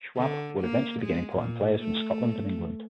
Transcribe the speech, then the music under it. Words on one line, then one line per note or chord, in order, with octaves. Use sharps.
Schwab would eventually begin importing players from Scotland and England.
D3
A#3
G#3
A#2
A3